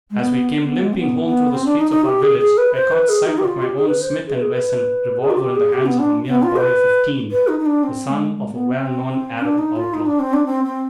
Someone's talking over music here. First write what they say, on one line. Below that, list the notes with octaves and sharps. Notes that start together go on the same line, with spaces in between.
As we came limping home through the streets of our village, I caught sight of my own Smith & Wesson revolver in the hands of a mere boy of fifteen--the son of a well-known Arab outlaw.
G#3
B3
B3
G#3
C4
B3
B3
C4
D4
D#4
D#4
G4
G#4
G#4
B4
C5
B4
G#4
D#4
G4
F4
G4
G#4
B4
C5
G#4
B4
G#4
B4
G#4
F4
G4
G#4
G4
B3
D4
B3
F4
C5
B4
B4
D#4
D#4
D4
C4
G#3
G#3
G#3
B3
C4
D4
D#4
F4
D#4
D4
C4
D4
C4
C4